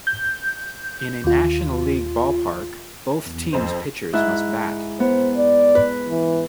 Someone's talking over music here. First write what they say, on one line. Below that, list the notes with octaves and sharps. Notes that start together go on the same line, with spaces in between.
In a National League ballpark, both teams' pitchers must bat.
G6
D#2 F4
E2
F2 C5
G#2 E4 F#6
B3 C5
D5
B4
E3